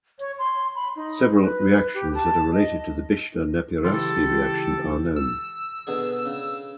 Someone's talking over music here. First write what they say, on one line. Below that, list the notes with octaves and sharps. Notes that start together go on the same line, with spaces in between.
Several reactions that are related to the Bischler-Napieralski reaction are known.
C#5
C6
B5
D#4
B4
G4
A5
D#5
C#2 E3 E4 G4 A4 C6
E6
B2 D3 G#4
C#3